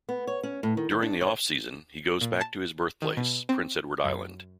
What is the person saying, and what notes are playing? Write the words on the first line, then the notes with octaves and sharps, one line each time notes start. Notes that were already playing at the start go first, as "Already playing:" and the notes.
During the off-season, he goes back to his birthplace, Prince Edward Island.
B3
C#5
C#4
A2
D#3
D#3
D4
C#5
A#2
A5
D#3
B2
C4
F#2